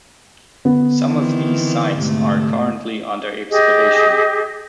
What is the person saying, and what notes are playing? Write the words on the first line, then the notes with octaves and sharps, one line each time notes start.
Some of these sites are currently under excavation.
D3 B3
D#3 E3 C4
G#2 C3 A3
G4 G#4 D#5